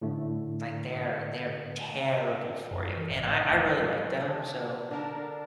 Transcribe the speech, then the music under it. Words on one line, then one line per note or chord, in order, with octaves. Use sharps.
Like, they're they're terrible for you, and I I really like them, so,
A2 D3 A3
F#2
E3
A1
A2
F1
F#3
C3 D4 G#4
D3 D4 A#4 A5